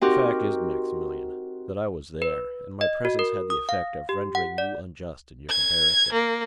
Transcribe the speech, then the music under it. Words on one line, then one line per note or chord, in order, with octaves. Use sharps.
"The fact is, Maximilian, that I was there, and my presence had the effect of rendering you unjust in your comparison."
C4 D#4 F#4 G4 A#4
B4
D#5
F#4
A#4
D#6
F5
G4
F#5
D5
G#6
A#3